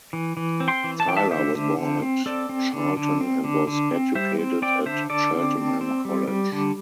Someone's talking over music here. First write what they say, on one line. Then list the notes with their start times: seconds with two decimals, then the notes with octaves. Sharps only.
Tyler was born at Charlton and was educated at Cheltenham College.
0.13 E3
0.37 E3
0.60 C4
0.68 G5 C6
0.84 E3
1.00 A5
1.07 E3 G5
1.17 E5 A5
1.31 D3 C5 E5
1.55 D3
1.78 D3
2.02 C4
2.26 C4 A4 D5
2.49 C4
2.73 D3
2.97 D3
3.21 C4
3.44 D3
3.67 D3
3.91 C4
4.15 G3 C5 E5
4.39 C4
4.62 C4 D5 G5
4.86 D3 C5 E5
5.10 D3 A4 D5
5.33 C4
5.57 C4
5.81 C4
6.05 G3
6.28 G3
6.52 D3